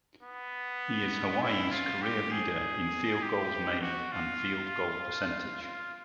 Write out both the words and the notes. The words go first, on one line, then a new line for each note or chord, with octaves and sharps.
He is Hawaii's career leader in field goals made and field goal percentage.
B3
E4
F4
G4
G#4
G4
F#4
F4
F4